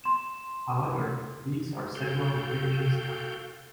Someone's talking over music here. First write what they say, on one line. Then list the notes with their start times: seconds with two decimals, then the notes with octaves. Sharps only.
However, these are several millenniums younger.
0.04 C6 E7
1.95 F#4 A4 F5 G5 G6